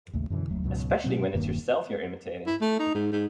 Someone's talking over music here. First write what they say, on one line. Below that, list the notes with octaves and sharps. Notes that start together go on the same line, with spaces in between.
Especially when it's yourself you're imitating.
A1 D#2 C#3 A3
F#2 B2 D3 E3
F#1 D#2 F#3 A3
C#2 G#2 B2 F#3
B2 F#3 C4
E1 G2 D#3 A#3
E4
A3
D#4
G#2
G#2